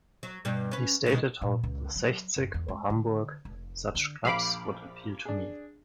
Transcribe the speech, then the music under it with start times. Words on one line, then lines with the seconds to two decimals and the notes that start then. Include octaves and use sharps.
He stated how the Sechzig or Hamburg - such clubs would appeal to me.
0.23 F#3
0.45 G2 B2 G3
0.71 C#4 B4
1.06 B2 D#3 G#3
1.42 A#2
1.64 C#2
1.96 F#3
2.36 F#1
2.54 E2
2.68 G#3
2.90 D3
3.45 F1
3.95 D3
4.25 A#1 F5 B5 D6
5.25 D4 G#4